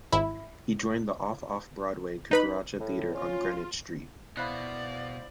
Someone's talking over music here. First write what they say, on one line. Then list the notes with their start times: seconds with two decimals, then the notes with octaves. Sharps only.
He joined the off-off-Broadway Cucaracha Theater on Greenwich Street.
0.12 G#1 E4
2.31 D#4 B4 B5
2.80 A2
3.14 C#4 F4
4.37 B2 E4 C5 D5 F5 B5 F#6